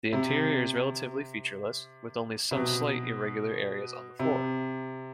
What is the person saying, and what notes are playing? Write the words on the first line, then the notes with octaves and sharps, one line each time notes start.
The interior is relatively featureless, with only some slight irregular areas on the floor.
C3
C3
B2
C3